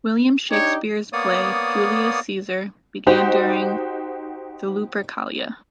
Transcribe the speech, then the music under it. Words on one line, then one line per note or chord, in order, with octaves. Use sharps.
William Shakespeare's play "Julius Caesar" begins during the Lupercalia.
D4 D#4 G4 C#5
A#3 B3 C#5 D5 D#6
D#4 F#4 G4 C5